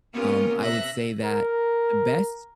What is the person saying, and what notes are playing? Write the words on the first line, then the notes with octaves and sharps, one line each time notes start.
um, I would say that the best
A#3 B3 C#4 F4 G4 A#4
C3 E5 F#6 A#6
A#4